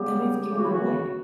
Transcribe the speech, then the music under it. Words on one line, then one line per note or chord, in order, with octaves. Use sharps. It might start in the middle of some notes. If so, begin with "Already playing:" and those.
then I've given it away.
Already playing: C#3 G3 B3 G4
C#3 E3 A3 G4
F#4
E4
F#4